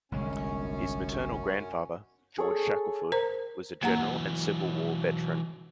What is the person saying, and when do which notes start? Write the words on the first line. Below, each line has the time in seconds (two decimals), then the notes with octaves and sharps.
His maternal grandfather, George Shackelford, was a General and Civil War veteran.
0.12 G1 C2 F#2 G#3 C#4
2.38 G#4 A4 C#5
3.12 A#4 C5 A#5
3.83 E3 F#3 A#3 F#5 A#5